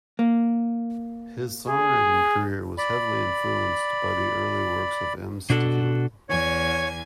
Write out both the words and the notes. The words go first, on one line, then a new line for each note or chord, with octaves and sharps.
His songwriting career was heavily influenced by the early works of M-Steel.
A#3
G#4
D5 B5
B2 D4 F#4 A4
E2 C#5 G#5 G#6